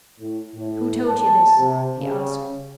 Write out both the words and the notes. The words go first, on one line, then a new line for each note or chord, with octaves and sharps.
"Who told you this?" he asked.
A2
A2
A5
C3
C#3